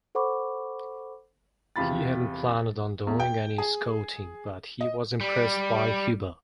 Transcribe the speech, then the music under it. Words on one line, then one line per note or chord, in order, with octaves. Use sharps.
He hadn't planned on doing any scouting, but he was impressed by Hubbell.
A4 C5 F#5 B5 C#6 D6
E2 C3 F4 B5 A6
E2
G5
G#4
D#5
G3